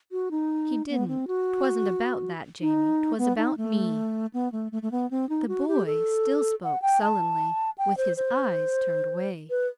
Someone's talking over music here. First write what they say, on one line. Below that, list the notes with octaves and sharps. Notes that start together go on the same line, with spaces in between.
"He didn't. 'Twasn't about that Jamie. 'Twas about me." The boy still spoke sullenly, with his eyes turned away.
F#4
D#4
B3
C4
F#4
D#4
B3
D#4
A3
B3
A3
A3
A3
B3
C4
D#4
F#4
G4
A4
F#5
G5
A5
G5
C5
C5
B4